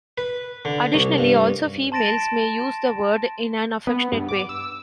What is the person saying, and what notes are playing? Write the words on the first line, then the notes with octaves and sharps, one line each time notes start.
Additionally, also females may use the word in an affectionate way.
B4
D3
C2
G2
A5 C6 A6 A#6 D7 E7
B3
G2
D6
E6